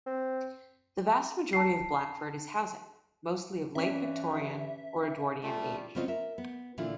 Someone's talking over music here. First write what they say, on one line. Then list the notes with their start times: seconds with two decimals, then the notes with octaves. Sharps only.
The vast majority of Blackford is housing, mostly of late Victorian or Edwardian age.
0.07 C4
1.53 A5 C7
3.75 G2 E3 C#4 E5
5.43 G3 A3 F4
5.95 C#3 F#3 B3 C4 F4 D#5
6.08 A#4 E5
6.38 B3
6.78 A#2 D3 E3 A3 E4 F4